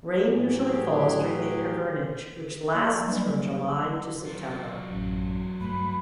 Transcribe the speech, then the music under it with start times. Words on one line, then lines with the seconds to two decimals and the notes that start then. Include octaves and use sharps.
Rain usually falls during the hivernage, which lasts from July to September.
0.31 A2 E3 F#3 G4 G#4
2.74 F3 A#3 D5
3.06 F#3 G3 A#3 D4 B4 D5
4.25 F#3 F4
4.91 A1 F#2
5.60 G2 A3 B5